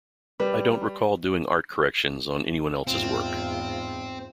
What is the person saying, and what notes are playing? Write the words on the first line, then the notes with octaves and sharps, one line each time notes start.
I don't recall doing art corrections on anyone else's work.
G3 B4
E2 G#2 C4 F4